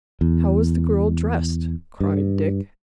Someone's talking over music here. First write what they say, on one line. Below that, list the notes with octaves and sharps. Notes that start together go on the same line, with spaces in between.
"How was the girl dressed?" cried Dick.
E2
G2